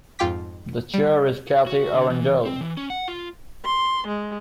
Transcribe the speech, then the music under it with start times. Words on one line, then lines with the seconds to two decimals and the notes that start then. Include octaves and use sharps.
The Chair is Kathie Arundell.
0.19 F2 G#2 F4 G5 D6 B6
0.94 G3
1.67 F#4
1.93 D3
2.10 E3
2.46 C4
2.61 E3
2.77 C#4
2.90 F#5
3.08 F4
3.65 C6
4.07 G#3